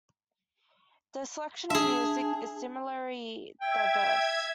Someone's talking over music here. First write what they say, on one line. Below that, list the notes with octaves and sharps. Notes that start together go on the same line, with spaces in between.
The selection of music is similarly diverse.
D4 G#4 E5
E5 G5 G#6